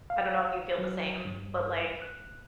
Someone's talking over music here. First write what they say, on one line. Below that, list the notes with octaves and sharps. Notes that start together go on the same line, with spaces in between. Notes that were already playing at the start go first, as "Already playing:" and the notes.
I don't know if you feel the same, but, like,
F5
F#3
G2
F#6